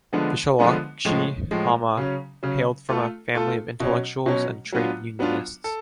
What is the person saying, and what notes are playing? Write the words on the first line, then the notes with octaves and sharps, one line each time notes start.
Visalakshi Amma hailed from a family of intellectuals and trade-unionists.
D3 F3 G#3 B3 D4
D3 F3 G#3 B3 D4
A2 F3 G#3
A2 F3 G#3
C#3 F#3 C#4
C#3 F#3 C#4
A3 F4 A4
A3 F4 A4
B2 F#3 C#4
B2 F#3 C#4
F#3 B3 D4 F4
F#3 B3 D4 F4
A4